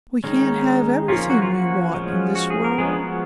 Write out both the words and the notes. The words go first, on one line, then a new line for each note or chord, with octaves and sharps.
"We can't have everything we want in this world."
D#3 G#3 C#4 D#4
F3 A#3 C#4 F4
F#4
F4
F#4
F3 G#3 C#4
F#4
G#4
A#4
F3 G#3 B3 G#4
F#4